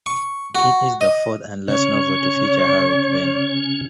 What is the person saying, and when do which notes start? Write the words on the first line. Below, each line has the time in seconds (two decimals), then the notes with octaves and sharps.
It is the fourth and last novel to feature Harriet Vane.
0.06 C#6
0.55 F#4
1.01 D#5
1.68 C#3 C#4 C#5